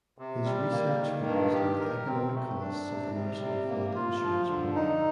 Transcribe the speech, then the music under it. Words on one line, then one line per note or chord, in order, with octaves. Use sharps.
His research focused on the economic costs of the National Flood Insurance Program.
C3
G3
A#3
D#3
G2
G4
A#4
C4
A3
D4
C3
G3
C3
A#3
F4
F3
D3
D#4